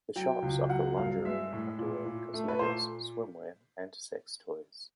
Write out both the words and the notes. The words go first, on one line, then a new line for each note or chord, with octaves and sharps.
The shops offer lingerie, underwear, cosmetics, swimwear and sex toys.
F#3 G5
C#2
F#3 F#5
G2 F5
G#3 E5
A2
A#2
A#2
A3
B4
A#2 C5